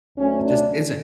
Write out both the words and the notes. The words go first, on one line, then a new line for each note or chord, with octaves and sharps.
It just isn't.
D2 D3 F#3 A3 C#4
D4